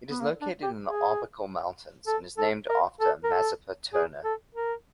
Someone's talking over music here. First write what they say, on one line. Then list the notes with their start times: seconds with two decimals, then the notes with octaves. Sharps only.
It is located in the Arbuckle Mountains and is named after Mazeppa Turner.
0.11 B3
0.21 A#3
0.42 D4
0.63 G4
0.83 G#4
2.07 A4
2.38 A4
2.69 A#4
3.01 A4
3.24 A#4
3.31 A4
3.93 G#4
4.24 A4
4.55 A#4